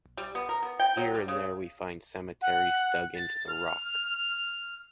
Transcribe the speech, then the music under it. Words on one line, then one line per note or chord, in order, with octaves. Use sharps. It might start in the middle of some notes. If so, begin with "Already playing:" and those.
Here and there we find cemeteries dug into the rock.
G3
B3
A#4
B3
G5
F#3
G3
C#3
F#5
A6
F6